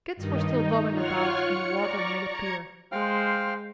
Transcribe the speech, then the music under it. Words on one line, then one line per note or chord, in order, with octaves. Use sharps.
Kit's were still bobbing about in the water near the pier.
G2 D#3 D#4
D#4
F4 C#5 F#5 C#6 F6
C#7
D5 A#5 C#6
A#5 G#6 C#7
G#3 C5 F5 G5 F6